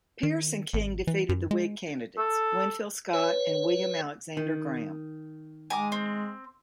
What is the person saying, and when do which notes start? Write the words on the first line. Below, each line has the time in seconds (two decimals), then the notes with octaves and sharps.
Pierce and King defeated the Whig candidates, Winfield Scott and William Alexander Graham.
0.23 D#3
0.73 G#1
1.07 E3
1.29 F#2
1.51 G#3
2.18 A4
3.13 B4 C#5
4.37 D#3
5.70 G#3 G#5 A#5 D6
5.92 C4